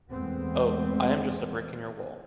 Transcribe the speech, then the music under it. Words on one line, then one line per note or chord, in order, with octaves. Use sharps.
Oh, I am just a brick in your wall.
E2 G#3 A3 B3 C4